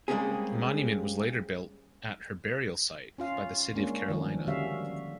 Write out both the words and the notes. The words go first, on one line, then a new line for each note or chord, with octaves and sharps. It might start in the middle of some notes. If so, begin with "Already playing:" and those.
A monument was later built at her burial site by the City of Carolina.
G3 G#3 A#3 C4 C#4 G#4
C#4 F4 F5
G#3 A#3 C#4 D4
D#3 F3 C#4
D3 G3 C#4 F#4 E5 F5